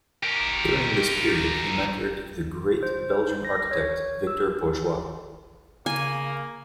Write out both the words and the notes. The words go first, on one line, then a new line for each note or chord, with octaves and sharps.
During this period, he mentored the great Belgian architect, Victor Bourgeois.
G4 A#4
C5
A#6
C#5
E6
C#3 A#3 G#5